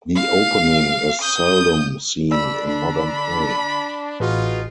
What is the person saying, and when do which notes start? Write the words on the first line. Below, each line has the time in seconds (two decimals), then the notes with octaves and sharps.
The opening is seldom seen in modern play.
0.15 F5
1.22 D#6 G6
2.31 D4 D5 B5 E6
2.69 D3 B5
4.20 A1 D#4 F4 F#4 G#4 B4